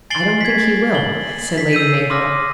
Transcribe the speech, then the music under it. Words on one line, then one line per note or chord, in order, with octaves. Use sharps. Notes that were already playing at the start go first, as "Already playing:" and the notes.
"I don't think he will," said Lady Mabel.
G#5 A6 C7 D7 F#7 G7
G#6 B6
A6 F#7 G7
B6 C7
E6 G6 D#7
C6 D6 D#6 F6 A#6